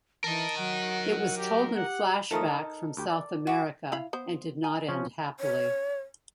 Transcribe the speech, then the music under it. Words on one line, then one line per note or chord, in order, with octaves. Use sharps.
It was told in flashback from South America and did not end happily.
E3 A#4 D#5 A5
F#3 F#5
G4
G4 F#5
D#3 F3 A3 A4 A#4 D#6
D#4
D2 G4
D5
F#4 D6
E4 F5 B5
B3 C5
G#5
F3 C#4
C#5